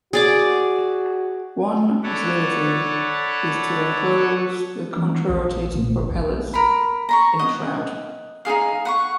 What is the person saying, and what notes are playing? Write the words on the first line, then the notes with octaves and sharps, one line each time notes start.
One possibility is to enclose the contra-rotating propellers in a shroud.
F#4 G#4 D5 D6
A4 B4 C#5 D5 F#5
E3
A#1
A#2
G1
A#1
A#4 B5
A#5 B5 C#6
D#5 F#5
D#4 E4 G#4 F5
F#5 B5 C#6